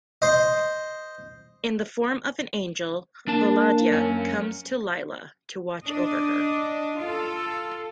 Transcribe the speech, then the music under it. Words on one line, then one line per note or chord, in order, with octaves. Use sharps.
In the form of an angel, Volodya comes to Lilya to watch over her.
C5 D#5
A#3 D4 A5
F#2 C#4
D4 D#5
F4 A4